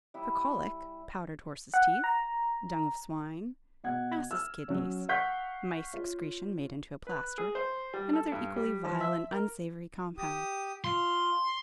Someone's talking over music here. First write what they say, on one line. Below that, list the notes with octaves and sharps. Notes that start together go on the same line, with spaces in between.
For colic, powdered horse's teeth, dung of swine, asses' kidneys, mice excretion made into a plaster, and other equally vile and unsavory compounds.
G3 E4 D#6
F#5
A#5
B2 F#5 G#6
E6 F6
F#3 C#4
F5 F#5 C#6 G6 B6
F4 C#5
B4
G#4
C5
G3
A4
G2
G3
F3
E5
A#4
G4 D#6
F4 C6